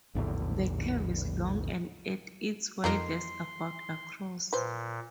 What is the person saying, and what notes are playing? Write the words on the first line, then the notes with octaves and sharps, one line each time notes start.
The curve is long and, at its widest, about across.
A#1 E2 A2 D3
F2 A#3 D#4 A#4 C6
A#2 B4 C5